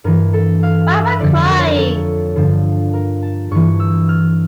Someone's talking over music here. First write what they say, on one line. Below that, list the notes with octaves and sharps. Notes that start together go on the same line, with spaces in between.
Why am I crying?
G2 E3 A#4
A4
F5
E5
F2 D3 F3 D5
A#4
C#5
A#4
A4
G2 D3 F3
A#4
A5
G2 E3 C#6
E6
F6